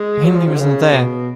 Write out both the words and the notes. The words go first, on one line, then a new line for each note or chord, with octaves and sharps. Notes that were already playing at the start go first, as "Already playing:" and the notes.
Hindley was not there.
Already playing: G#3
F#3
F3
C#3
D3
C#3
B2